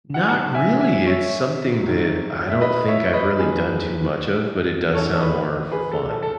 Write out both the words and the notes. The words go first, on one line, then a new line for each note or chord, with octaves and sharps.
Not really, it's something that I don't think I've really done too much of, but it does sound more fun.
F#5
G#5
G#2 F#3 F#5 A5
E5 G#5
E5 G#5
C#5 E5
G#2 D#3 F#3
E5
B4 D#5
C#5 E5
B4 D#5
D#2 D#3 F#3 G#4 B4
G#2 E3 A4 C#5
B4 D#5
G#4 B4
A4
A4
A4